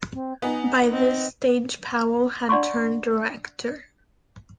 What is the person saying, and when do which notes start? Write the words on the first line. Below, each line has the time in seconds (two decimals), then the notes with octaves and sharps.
By this stage Powell had turned director.
0.13 C4
0.42 B3 D#4 G#5
0.92 C4 D#5
2.49 D4 D5 F#5 A#5 C6 C#6